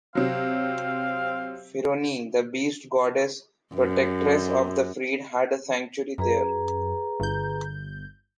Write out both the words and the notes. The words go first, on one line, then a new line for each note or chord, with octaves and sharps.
Féronie, the beast goddess, protectress of the freed, had a sanctuary there.
C3 F#3 C4 F5
F#2
F#2 G#4 B4 A#5
G1 G6